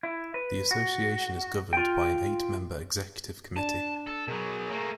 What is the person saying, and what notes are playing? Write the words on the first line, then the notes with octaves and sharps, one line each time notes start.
The association is governed by an eight-member Executive Committee.
E4
B4
F#4
F4 G5
D4 A5
A4
B2 F#3 G#4 A#4
A3 A#3